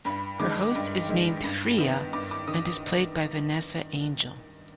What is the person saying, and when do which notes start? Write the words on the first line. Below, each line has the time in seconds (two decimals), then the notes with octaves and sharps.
Her host is named Freyja, and is played by Vanessa Angel.
0.05 G2 B5
0.39 D#3 G#3 D6
0.75 G2
1.09 D#3 G#3
1.44 G2
1.78 D#3 B3
2.13 G2 D6
2.31 D6
2.47 D#3 D#6